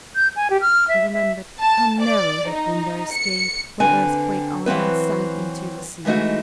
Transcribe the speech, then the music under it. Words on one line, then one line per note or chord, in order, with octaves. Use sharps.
He remembered how narrow had been their escape when Earthquake Island sank into the sea.
G6
G#5
G4
F6
E5
E5
A5
D5
D#4
C#7
D3 C4 B4 G#5
E3 F#3 C4 B4
E3 G#3 A3 D#4 F#4